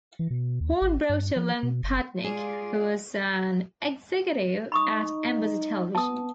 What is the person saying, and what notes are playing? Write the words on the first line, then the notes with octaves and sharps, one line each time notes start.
Horn brought along Padnick, who was an executive at Embassy Television.
E3
B2
D#2
G#1
G2
F3
B2
F#1
G#3 F4 G#4 D5
D#4 B5 C#6 D#6
B3 A5 D#6